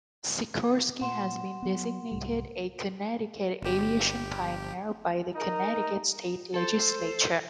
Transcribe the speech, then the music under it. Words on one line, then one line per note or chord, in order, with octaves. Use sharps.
Sikorsky has been designated a Connecticut Aviation Pioneer by the Connecticut State Legislature.
A#2 F#5 C6 E7
F#3 B3
C2 G#2 G3
G1 G4
D#4 A#4 A#5
A4 C5